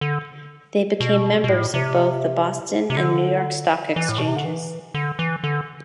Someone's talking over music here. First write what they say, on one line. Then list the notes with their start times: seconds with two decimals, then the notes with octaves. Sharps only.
They became members of both the Boston and New York Stock Exchanges.
0.01 D3
1.00 B2
1.44 B2
1.49 A2
1.74 C3
2.90 C3
2.97 D3
3.96 E3
4.09 A2
4.18 B2
4.28 C3
4.36 D3
4.45 E3
4.94 D3
5.19 E3
5.44 D3